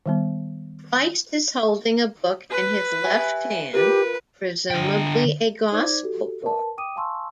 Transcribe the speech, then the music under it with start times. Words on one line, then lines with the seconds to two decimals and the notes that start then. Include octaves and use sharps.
Christ is holding a book in his left hand, presumably a Gospel Book.
0.06 D#3 G3 B3
2.51 B4
3.05 G4 E5 G#5
3.74 F4 G4 A#4 B4
4.71 D3 G5
5.72 D#4 C5 D5 D6 G#6
6.03 F#4 G4 A4
6.42 A#4 B4 A5
6.77 G5 D6 D#6 D#7
6.96 F5 G#5 A5 C6 C#6 E6